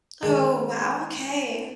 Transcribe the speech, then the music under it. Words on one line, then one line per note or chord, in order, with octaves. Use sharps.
Oh, wow, okay.
D#3 G#3